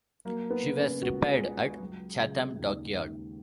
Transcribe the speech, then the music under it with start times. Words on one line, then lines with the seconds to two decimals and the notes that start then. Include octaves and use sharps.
She was repaired at Chatham Dockyard.
0.25 F#3 A#3
0.50 B3
0.63 C#3
0.76 C#4
1.02 C#2 F#4
1.29 G#4
1.41 C#2
1.80 F#3
2.19 C#3
2.59 D#2
2.98 D#2